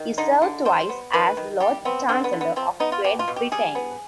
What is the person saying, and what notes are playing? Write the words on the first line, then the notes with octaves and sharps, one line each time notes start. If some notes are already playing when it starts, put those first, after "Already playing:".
He served twice as Lord Chancellor of Great Britain.
Already playing: D#3
D3 D#4
D3
G3 C5
B3
D#3 B4
D#3
G3 G4
B3 C4
D3 C4
B3
D3
B3
F3 C4
B3 D#4
F4
B2 G4
F4
B2
G4
G3 G#4
B3